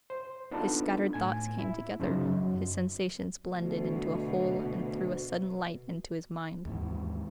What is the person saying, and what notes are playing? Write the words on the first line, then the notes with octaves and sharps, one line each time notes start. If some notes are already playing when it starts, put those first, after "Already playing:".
His scattered thoughts came together; his sensations blended into a whole and threw a sudden light into his mind.
C5
B3 D4 D#4 F4 A4
A2 G#5 G#6
E4
F#2 C#3 D#4 C5 D#5
F#2
D2 B2
D#2 G#2 E3